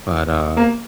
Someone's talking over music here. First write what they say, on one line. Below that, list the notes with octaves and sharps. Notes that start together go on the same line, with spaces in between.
but, uh
A#3